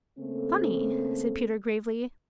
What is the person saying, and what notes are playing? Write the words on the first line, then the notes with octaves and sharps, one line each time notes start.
"Funny!" said Peter gravely.
C#3 A3 A#3 C4 A4